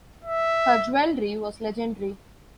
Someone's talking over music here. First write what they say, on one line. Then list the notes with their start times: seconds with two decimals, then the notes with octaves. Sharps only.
Her jewelry was legendary.
0.25 E5